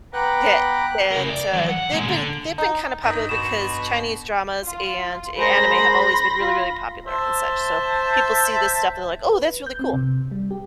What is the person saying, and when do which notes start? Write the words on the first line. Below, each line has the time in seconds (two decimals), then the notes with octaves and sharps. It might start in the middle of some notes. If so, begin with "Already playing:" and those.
that that, uh, they've been they've been kinda popular because Chinese dramas and a anime have always been really, really popular and such. So, people see this stuff, they're like, "Oh, that's really cool."
0.13 B3 G5 A#5 B5 D6 F#6
1.11 E4 A#4
1.30 D5
1.53 E3 F#3
1.69 F#5
1.92 A#2 G#3
2.08 D3
2.58 D#4
3.03 G2 D#3
3.29 B2 E7
4.64 F4
5.38 G#3 A#4 C5 B5 C6 A#6
6.39 F4
7.06 C5 E5 A5
9.26 B4
9.66 G6
9.79 C4
9.93 C3
10.31 G3
10.51 G4